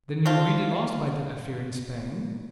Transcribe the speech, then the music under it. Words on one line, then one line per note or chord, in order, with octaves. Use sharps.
"Then you really lost by that affair in Spain?"
C4 D4 F4